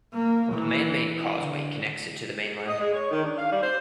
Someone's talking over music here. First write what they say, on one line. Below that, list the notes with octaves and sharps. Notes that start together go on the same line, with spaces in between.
A man made causeway connects it to the mainland.
A#3
E3
D3
D#5
G#3
C#5
D#3
D4
F5
G3
C5